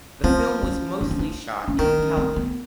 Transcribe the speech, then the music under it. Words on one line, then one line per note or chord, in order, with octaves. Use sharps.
The film was mostly shot in Calgary.
F3 C4
C#4
D4
C#4
D4
C#4
D#3 D4
C#4
C4
B3